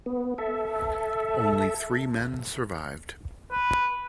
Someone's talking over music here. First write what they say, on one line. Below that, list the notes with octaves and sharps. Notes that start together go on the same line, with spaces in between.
Only three men survived.
B3
A4 E5
B4